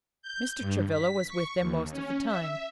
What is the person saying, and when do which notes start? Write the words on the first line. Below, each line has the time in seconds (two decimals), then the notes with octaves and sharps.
Mr. Travilla was with them most of the time.
0.22 G6
0.60 G2
0.90 B6
1.29 C#6
1.60 D#2
1.91 C#4
2.25 E5